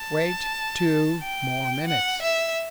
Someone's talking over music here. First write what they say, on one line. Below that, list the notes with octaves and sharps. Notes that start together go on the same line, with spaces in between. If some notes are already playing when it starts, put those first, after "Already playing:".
"Wait two more minutes."
Already playing: A5
G5
F#5
E5